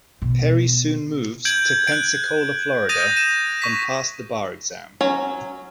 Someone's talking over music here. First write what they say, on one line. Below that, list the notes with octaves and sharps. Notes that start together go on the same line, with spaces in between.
Perry soon moved to Pensacola, Florida and passed the bar exam.
B2
G6 G#6 D7 F#7
F#6 D7
D#6 G6 A6 A#6 D#7
D#7 E7
C#6 B6
F#3 C#4